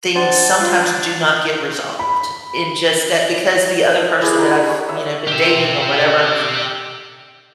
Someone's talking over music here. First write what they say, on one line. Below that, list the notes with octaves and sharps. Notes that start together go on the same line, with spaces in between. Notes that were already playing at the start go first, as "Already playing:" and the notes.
things sometimes do not get resolved in just that because the other person that I've, you know, been dating or whatever,
D4 C5 D5 F#5 A5
D4 F4
B5
E4 G4 G#4
A#4 B4 D#5
C#5
E5
G4 E5